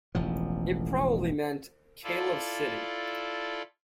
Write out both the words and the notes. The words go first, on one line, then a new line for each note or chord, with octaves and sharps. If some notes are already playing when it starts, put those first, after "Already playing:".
It probably meant "Kalev city".
E1 A1 F3
E4 F4 A4 D5